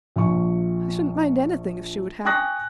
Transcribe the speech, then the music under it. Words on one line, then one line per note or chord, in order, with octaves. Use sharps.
I shouldn't mind anything if she would have me.
A#1 F3 C#6
G5 G#5 C#6 D#6 F#6 A#6